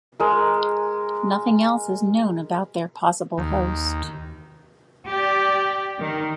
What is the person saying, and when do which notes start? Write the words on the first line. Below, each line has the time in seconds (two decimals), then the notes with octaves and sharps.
Nothing else is known about their possible host.
0.20 G#3 A#4
3.38 D#2
5.08 G4 D5
6.00 D#3